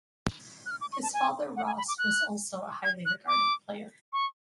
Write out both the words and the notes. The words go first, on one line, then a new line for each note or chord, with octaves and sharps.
His father Ross was also a highly regarded player.
F#6
F6
D6
C#6
A5
G#5
F#5
G#5
B5
D6
F#6
G#6
F#6
D6
C#6